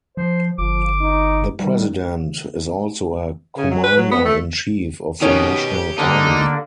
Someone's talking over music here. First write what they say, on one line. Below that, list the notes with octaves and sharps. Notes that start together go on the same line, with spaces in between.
The President is also a Commander in Chief of the National Army.
F3 C5
G1 F3 D6
D#4
D#3 G3
C#3
F#3
B4
F#3
B3
A3
B2 D#3 C#4 G4
D3 A#3 D4 D#4